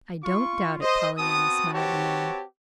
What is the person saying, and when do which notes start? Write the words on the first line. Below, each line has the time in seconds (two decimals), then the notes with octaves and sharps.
"I don't doubt it, Pollyanna," smiled the man.
0.23 F4 C#6
0.81 C5 D#5
1.18 B3 C4 F#4 A5 D#6
1.73 C4 F#4 G4 B4 C#5 A5